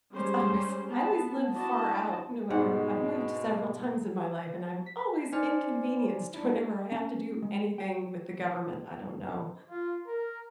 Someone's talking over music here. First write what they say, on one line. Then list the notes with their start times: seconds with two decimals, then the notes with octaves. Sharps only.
it's always I always live far out no matter I've moved several times in my life, and I'm always inconvenienced whenever I have to do anything with the government. I don't know.
0.11 G3 G#3 C#4 G4 C5
0.90 B3 A5
1.52 D4 E4 F#4 D#5 A5
2.50 G#2 B2 G#3 F#5
4.86 B6
5.33 D#4 C5 D5 G#5 F6 C#7
6.34 D4 E4
6.92 C#4
7.42 G#3
7.78 G5
9.69 F4
10.07 A#4